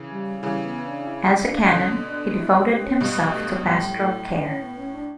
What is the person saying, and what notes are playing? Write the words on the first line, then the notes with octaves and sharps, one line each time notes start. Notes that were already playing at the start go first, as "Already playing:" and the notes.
As a canon, he devoted himself to pastoral care.
Already playing: C#3 E3
G3
C#3 E3 G3
B3
D4
D4
E4
C#4
D4
C#4
B2 D3 C#4
D4
E4
F#4
G4
C#4
G2 B2 B3
F#3
A3
F#3
A2 G3
G3
A3
D4
C#4
B3
C#4
D4